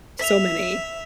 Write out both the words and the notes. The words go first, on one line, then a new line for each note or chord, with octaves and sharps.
So many.
E5 B6 F7